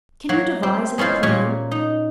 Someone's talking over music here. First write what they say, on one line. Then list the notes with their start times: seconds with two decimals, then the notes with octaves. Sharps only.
Can you devise any plan?
0.29 F#3 A#3 F#4
0.63 C4
0.98 G#3 C#4 E4 F4 C5
1.23 A#2 A#3 C#4 G#5
1.71 D#4